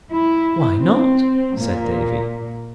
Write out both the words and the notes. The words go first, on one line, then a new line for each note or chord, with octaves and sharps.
"Why not?" said Davy.
E4
C4
A#2